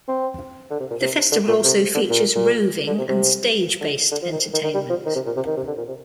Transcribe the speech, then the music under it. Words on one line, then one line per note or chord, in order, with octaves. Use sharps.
The festival also features roving and stage-based entertainment.
C4
D3
C3
A#2
C3
D3
A#2
C3
D3
A#2
A#2
D3
C3
C3
D3
D3
F3
D#3
D#3
D#3
G3
F3
D#3
C3
A#2
C3
D#3
C3
D3
A#2
C3